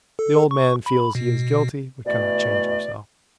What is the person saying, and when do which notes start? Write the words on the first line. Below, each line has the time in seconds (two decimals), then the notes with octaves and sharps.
The old man feels he is guilty, but cannot change himself.
0.19 A4
0.51 C#6
0.86 B5
1.15 B2
2.06 B2 E3 A3 D5